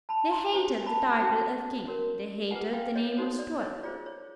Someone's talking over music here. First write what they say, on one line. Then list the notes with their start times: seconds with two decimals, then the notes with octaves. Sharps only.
They hated the title of King. They hated the name of Stuart.
0.09 A5 B5
0.31 A#5 C6
0.53 D4 G4 C5 G#5 A#5
0.86 A5 B5
1.19 C#4 F#4 A4 C5 G5 A5
1.85 C#4 F#4 A#4 C#5
2.51 F4 G#4 B4 F#5 G#5
2.73 F5 G5
2.96 C#5 D#5
3.17 D#4 F#4 A4 C5 C#5
3.39 D5
3.61 C#5 D#5
3.83 F4 G#4 C5 D5
4.06 C#5